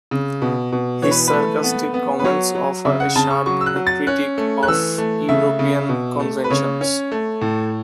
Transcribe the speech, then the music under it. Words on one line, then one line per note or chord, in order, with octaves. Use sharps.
His sarcastic comments offer a sharp critique of European conventions.
C#3
B2
B2
E3 C#5
B4
B4
A3
B3
B3
B4
F#3 C#5
F#3
C#3 E5
F#5
C#3 A5
C#6
F#3 C#6
E6
F#6
F#3
A6
C#4 F#6
A3
F#6
E3 E6
A3
C#3 E5
C#3
B2
A3
B4
C#3 C#5
C#4
A3
A2